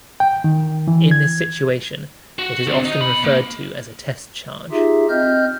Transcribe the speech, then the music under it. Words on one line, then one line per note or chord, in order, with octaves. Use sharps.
In this situation it is often referred to as a test charge.
G5
D#3
E3
G#6
F#4
D3 C4
D#4
B2 B5
A#3
D#4 F4 G4 G#4 E5
C4 D#5 F6 G6